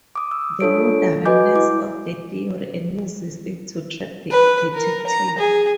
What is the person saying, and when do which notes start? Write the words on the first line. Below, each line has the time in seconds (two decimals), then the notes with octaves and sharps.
The murderer learns of the theory and uses it to trap the detective.
0.16 D6 D#6
0.31 E6
0.60 D4 F4 A4 C#5 D7
1.25 F#4 B4 D#5 G#5 D6 G6
1.55 E4 D6
4.30 B4
4.74 A#4
5.06 A#5
5.38 G#4